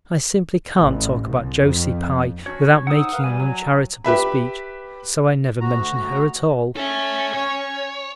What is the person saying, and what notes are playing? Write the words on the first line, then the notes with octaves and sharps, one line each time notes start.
I simply can't talk about Josie Pye without making an uncharitable speech, so I never mention her at all.
A1
C2
F2
C#4 D4 F#4 C#5
G#2 D#4 F#5 D#6 E6
A#4 B4 F5
G2 E3 G3 G#5
F#3
G4 B4 E5 B5
D2 F#4 A#5
C#4 A4 E5
C#5